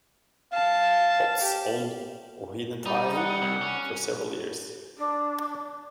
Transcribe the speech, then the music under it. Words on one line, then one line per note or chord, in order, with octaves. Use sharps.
Potts owned Ohinetahi for several years.
F5 A5
G4
G3 D#4
F#5
C2
C#4
D4